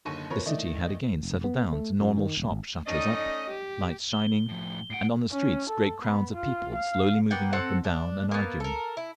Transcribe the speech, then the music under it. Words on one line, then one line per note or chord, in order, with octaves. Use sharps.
The city had again settled down to normal--shop-shutters up, lights shining, and on the streets great crowds of people slowly moving up and down and arguing....
F#1 D#2 D3 C#6 A#6 D#7
B2 F3 A#4 B4 C#5
D#3 E3 A3 D5 D#5
F1
B3
A3
F#2
D#3
D#1
G#1
A3 C#4 D#4 D5 D#5
G4
G7
A2 F3
A2 F#5 C7 D7
C#4
A4
B3
F4
F5
A#3 B3 F#5 G5
C4 A4 F#5
D4
A#3 B3
A4 A#4
E4